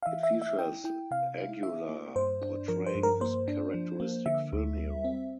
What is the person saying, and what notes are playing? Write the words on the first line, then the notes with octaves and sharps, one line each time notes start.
It features Aguilar portraying his characteristic film hero.
F5
E3 E5
E5
E4
E5
E4 G5
E4 G5
C3 F5
E4
E4 E5
A#3
G2 C5
D4
F3 A#4
C5
G2
A#4
A#3 C5
D4
F3
A#3
D3 E5
D2
G3
C4